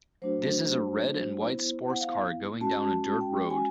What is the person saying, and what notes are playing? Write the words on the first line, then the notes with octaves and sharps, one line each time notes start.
This is a red and white sports car going down a dirt road.
F#3 A3 D4 F#4 C5
B3 E4
F#5
F5
G#3 C#4 F#4 A5
G5
G#5